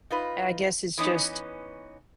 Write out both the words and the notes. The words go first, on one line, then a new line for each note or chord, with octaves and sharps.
I guess it's just
D#4 F4 B4
E3 B3 C#4 D#4